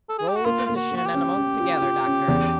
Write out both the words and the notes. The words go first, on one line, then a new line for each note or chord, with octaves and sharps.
"Roll a physician and a monk together, doctor!"
A4
G#4
G4
F#4
A#3 F4
A#3 F4
F#4
A#3
F#4
G4
C#4
C#4
F4
F4
C#4
E2